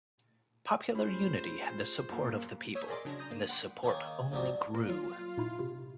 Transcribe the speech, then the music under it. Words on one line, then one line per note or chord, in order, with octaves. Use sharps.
Popular Unity had the support of the people, and this support only grew.
A3 C#4 F4 G4 G#4 C5 B5
F#2 A#2 A#3
C#5 D#6 E6 G6 G#6 B6
G#4 A#4 D5 D#5 C6 D6
C#3 F#3 D4 G#6 A#6
A#5 D#6 G6 A#6
A#3 D#7
F#5 G5 B5 C6 D6
D#3 A#3 G#4 C#5
A#1 G#2 C3 B3 D4 F#4
A#3
F#3 F4
A#2 D#4 E4
C3 F4